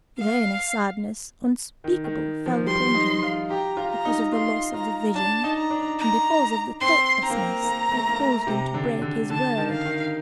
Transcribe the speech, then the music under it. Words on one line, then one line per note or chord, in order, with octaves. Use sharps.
Then a sadness unspeakable fell upon him, because of the loss of the vision, and because of the thoughtlessness that had caused him to break his word.
F5
D#3
D#3
F3
G3 C6
D#4
F4
G4 A#5
F4
A#5
D#4
F4 C6
F4 A#5
D4 A5
D#4
A#5
D4
A#5
C4 C6
C4 A#5
A#3
C4
A#3
A3
A#3
A3
C3
D3
D3
D3 A5
D#3
F5
D#3